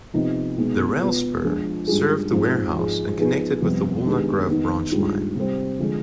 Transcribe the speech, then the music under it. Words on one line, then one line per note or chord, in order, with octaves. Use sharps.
The rail spur served the warehouse and connected with the Walnut Grove Branch line.
C3 F3 B3 D#4
B2 G#3 B3 D#4
B2 B3 F4
F3 G#3 D4 F4 G#4
G#2 G3 D4 F4 G#4
G#2 F3 C4
G#2 F3 G#3
F3 B3 D#4 G#4
F2 C3 G3 B3
D#3 G#3 B3 D4 G4
D#3 B3 D#4
G#2 G3 D4 F4
C3 G3 C4
D3 F3 G#3